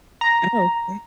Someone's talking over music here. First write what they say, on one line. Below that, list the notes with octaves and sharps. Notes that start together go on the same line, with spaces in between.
Oh. Mm.
A#5